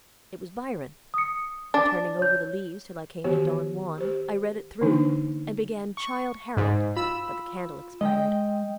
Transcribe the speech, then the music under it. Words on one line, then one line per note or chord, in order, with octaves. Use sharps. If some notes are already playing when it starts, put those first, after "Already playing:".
It was Byron, and turning over the leaves till I came to Don Juan, I read it through, and began Childe Harold, but the candle expired.
D#6 C#7
D4 A6
C#5 G6
D#3 E3 B3 F#4 G4 C#5
G4 C5
D3 E3 A#3 D4 D#4
C#6
G#2
F4 B5 E6
G#3 D#5 G5